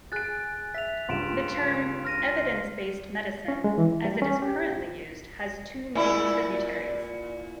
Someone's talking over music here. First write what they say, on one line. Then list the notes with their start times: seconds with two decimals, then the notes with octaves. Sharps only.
The term "evidence-based medicine", as it is currently used, has two main tributaries.
0.12 G#4 G#5 F#6 A6 D7
0.74 E5 B6 F7
1.09 C#2 G2 C6 D7 E7
2.05 F6 A#6 D#7
3.48 C#4
3.64 G#3
3.78 E3
4.05 G3
4.22 C#4
4.42 G4
5.95 A#2 E4